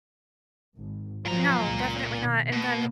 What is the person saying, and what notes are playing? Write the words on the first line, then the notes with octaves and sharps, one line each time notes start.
No, definitely not. And then
G#1
A#2 F3 F#3 A#5
C#2
B2 D#3
B2 A#3